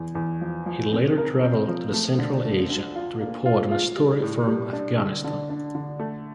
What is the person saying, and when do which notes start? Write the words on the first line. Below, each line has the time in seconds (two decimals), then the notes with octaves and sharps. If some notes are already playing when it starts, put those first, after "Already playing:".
He later traveled to Central Asia to report on the story from Afghanistan.
Already playing: E2
0.15 E2
0.41 F3
0.66 F3
0.92 C4
1.18 A#4
1.43 C4
1.68 F3
1.93 A3
2.19 D3
2.45 A3
2.69 D2
2.95 F4
3.21 A#3
3.46 F4
3.71 F4
3.97 G3
4.23 A2
4.47 G3
4.73 D4
4.99 D3
5.24 D3
5.50 D4
5.75 D3
5.99 A3